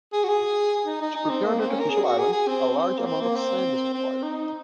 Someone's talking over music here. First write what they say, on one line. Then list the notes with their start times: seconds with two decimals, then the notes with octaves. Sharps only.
To prepare the artificial island, a large amount of sand is required.
0.13 G#4
0.24 F#4
0.29 G#4
0.86 D#4
1.02 D#4
1.15 D#4
1.30 C4
1.45 A#3
1.60 C4
1.69 C#4
1.80 A#4
1.90 G#4
2.04 F#4
2.19 G#4
2.33 G#4
2.47 C4
2.77 C4
2.98 A#3
3.06 C4
3.21 A#3
3.36 C4
3.94 C4
4.23 D#4